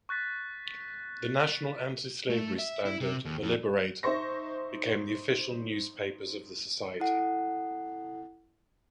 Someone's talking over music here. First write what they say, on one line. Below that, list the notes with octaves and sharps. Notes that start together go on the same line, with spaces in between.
The National Anti-Slavery Standard and "The Liberator" became the official newspapers of the society.
C#6 F#6 A6 B6
A3
E5
E4
C3
D#2
F2
D#4 C5 E5 C6 C#6 A#6
E4 A4 F#5